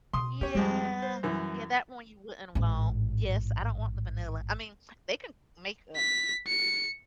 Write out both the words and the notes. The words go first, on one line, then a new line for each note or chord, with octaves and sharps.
Yeah, yeah, that one you wouldn't want. Yes, I don't want the vanilla. I mean, they can make, uh,
B2 C6 D#6
B3 G4 C#5
F2 G3 G#3 G4
C5
F#2 E3
A1 G#2
B6
C#7